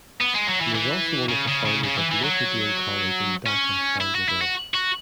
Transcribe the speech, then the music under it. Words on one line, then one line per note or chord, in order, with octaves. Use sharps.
He is also one of the founders of Notre Dame College in Dhaka, Bangladesh.
B3
G#3
F#3
E3
E3
C#3
C#3
C#3
C#3
E3
E3
F#3
C#4
E4
F#4
E4
F#4
F#4